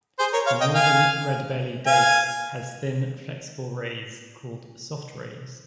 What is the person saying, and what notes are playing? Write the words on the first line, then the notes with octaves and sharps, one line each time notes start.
The Northern Redbelly Dace has thin, flexible rays called "soft-rays".
G#4 C5
A#4 C#5
C#5 F5
D#5 G5
F5 G#5
F5 G#5